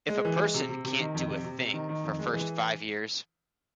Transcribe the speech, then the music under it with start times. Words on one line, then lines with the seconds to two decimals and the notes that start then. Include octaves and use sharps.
If a person can't do a thing for first five years.
0.09 G#3
0.25 E3
0.39 G#3
0.54 C3
0.69 C3
0.85 C3
1.00 D#3
1.14 F2
1.30 C3
1.44 C3
1.58 C3
1.74 D#3
1.89 D#3
2.04 F2
2.19 G#3
2.33 E3